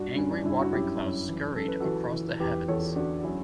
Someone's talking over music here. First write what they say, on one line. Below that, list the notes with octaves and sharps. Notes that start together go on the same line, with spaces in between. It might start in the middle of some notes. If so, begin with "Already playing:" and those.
Angry watery clouds scurried across the heavens.
Already playing: G2 D4 F#4
G2 C#4
D4
G2 E4
F#4
F#2 E4 G4
F#2
E3
F#2 A4
B4
E3 F#4 A4
E3
E2 G4 B4
E2 A4 C#5
D3 D4 F#4
F#3 C#4 E4